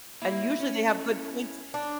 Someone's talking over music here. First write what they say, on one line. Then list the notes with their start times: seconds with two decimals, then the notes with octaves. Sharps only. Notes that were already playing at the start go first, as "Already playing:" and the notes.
and usually they have good points
0.22 A#3 E4
0.60 C#4
1.74 D4